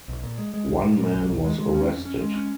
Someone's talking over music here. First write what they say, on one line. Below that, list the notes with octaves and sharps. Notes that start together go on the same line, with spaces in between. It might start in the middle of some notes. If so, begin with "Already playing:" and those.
One man was arrested.
B1
A#2
G#3
G#3
B1
A#2
A#2
B1
B1
G#3
G#3
C#4
F2
C#4
G#3
C#4